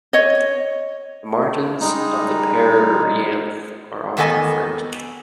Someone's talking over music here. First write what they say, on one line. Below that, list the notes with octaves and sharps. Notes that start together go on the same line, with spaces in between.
The margins of the perianth are often fringed.
C#5 D#5
G3 G#3 D#4
E2 D#3 B3 A4 D#5 G#5